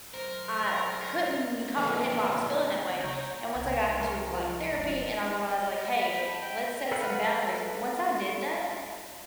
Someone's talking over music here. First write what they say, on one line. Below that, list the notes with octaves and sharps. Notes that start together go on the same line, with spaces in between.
I couldn't comprehend why I was feeling that way, and once I got into th like, therapy and I realized like, "Hey, let's set some boundaries," once I did that,
B1 F2 A#4 C5
A#1 E2 G2 D3 E4 A4 B4 D#5
C#3 B3 C#5 A#5 G6
C2 D3 G#6
A#4 C#6
F3 F4
E1 F#2
D#5
B5
C5
A5
D#5 G5
A4 B4 F5 F#5 B5